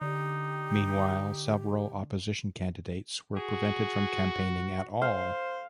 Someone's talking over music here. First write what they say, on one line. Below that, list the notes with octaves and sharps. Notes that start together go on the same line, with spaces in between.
Meanwhile, several opposition candidates were prevented from campaigning at all.
D3 D#4 G4
F#4 G#4
C5 F5